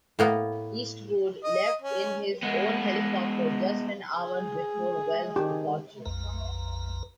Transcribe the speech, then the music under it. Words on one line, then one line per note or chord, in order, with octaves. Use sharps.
Eastwood left in his own helicopter just an hour before Wells' departure.
A2 A#3 B3
D#5
C#4
G#3 B3
G#4
D#3 G4
A#1 F2 B4 A#5